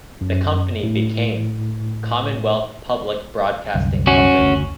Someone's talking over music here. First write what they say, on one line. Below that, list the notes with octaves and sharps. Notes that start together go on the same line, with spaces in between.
The company became Commonwealth Public Broadcasting Company.
F#2
A2
C2 F#2 D3
C#4 F#4
F#1 D2 D3